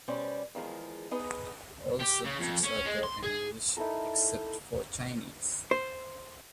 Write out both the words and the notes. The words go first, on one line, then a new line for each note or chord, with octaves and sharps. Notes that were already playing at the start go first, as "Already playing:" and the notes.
All subjects are taught in English, except for Chinese.
B2 G3 C#4 C5 D5
E2 D#3 F3 G#3
B3 D#4 G#4 B4 D#5
G4
C#3
F2
C#4
G#3
C6
G#4
D#4 E4 A4 A#4
C5